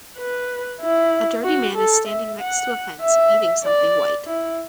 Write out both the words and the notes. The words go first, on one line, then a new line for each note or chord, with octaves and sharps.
A dirty man is standing next to a fence, eating something white.
B4
E4
F#4
A4
E5
F#5
E5
D5
E4